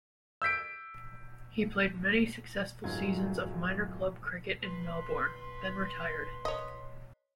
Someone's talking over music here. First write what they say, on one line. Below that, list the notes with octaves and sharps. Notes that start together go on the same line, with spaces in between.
He played many successful seasons of minor club cricket in Melbourne, then retired.
E6 G6 B6 D7
D1 G#2 F#3 F4 G#6
B4 C6
C#5 D#5